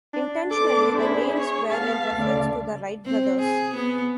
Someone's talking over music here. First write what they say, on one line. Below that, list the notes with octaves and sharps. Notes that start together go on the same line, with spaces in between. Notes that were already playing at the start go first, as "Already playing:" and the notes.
Intentionally, the names were in reference to the Wright brothers.
D4
B3 D4 A4 C5 D6
E4 G#4
C#5
B3 F5 A5
D2 C#3 D5
C4
G#4
B3